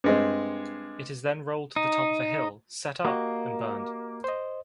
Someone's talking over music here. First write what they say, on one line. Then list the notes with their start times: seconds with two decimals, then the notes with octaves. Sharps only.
It is then rolled to the top of a hill, set up, and burned.
0.04 G2 G#3 C4
1.76 D#4
3.05 A#3 F#4 G4 D#5
4.24 C5 D#5